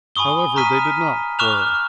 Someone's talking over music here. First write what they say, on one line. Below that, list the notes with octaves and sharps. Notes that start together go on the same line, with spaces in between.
However, they did not quarrel.
G#5 B5 C#6 D#6 G7
A#5 C#6 D#6 F6 B6 D#7
C#6 D6 F6 F#6 E7 F7